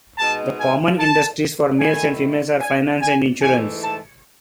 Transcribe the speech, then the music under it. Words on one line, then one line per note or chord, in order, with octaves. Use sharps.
The common industries for males and females are finance and insurance.
B2 G#3 D#4 A5
G#5
A5
D#3 A3 E4 G#5
G#5
G#5
G#2 E3 A3 G#5
A5